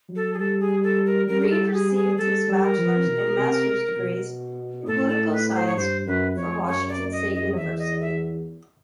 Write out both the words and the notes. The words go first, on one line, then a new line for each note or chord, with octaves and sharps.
Reed received his bachelor's and master's degrees in political science from Washington State University.
F#3
A4
G#4
G3 A4
G#4
A4
A#4
G3 A#4
A#4
A4
G#4
G#4
G3 A4
G3
A4
A#4
F3
B2
C3
B2
A2 A4
A4
B4
B4
C5
C#5
G2 C5
F#2 B4
F2 C#5
F#2 C#5
D5
D#5
D#5
E2 E5
D#5
E5